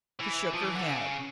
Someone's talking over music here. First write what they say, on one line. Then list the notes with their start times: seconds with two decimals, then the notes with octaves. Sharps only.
She shook her head.
0.19 E3
0.53 F3
0.63 E3
0.75 D3
0.85 C#3